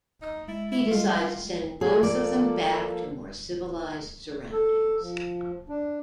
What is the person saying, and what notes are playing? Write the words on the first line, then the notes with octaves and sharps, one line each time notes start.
He decides to send both of them back to more civilized surroundings.
D#4
G#3 E4 A6
E4 E7
G3 F4 D#5
F#5 G5
F3 A#3 G#4 A4
D5
A4
F3
D4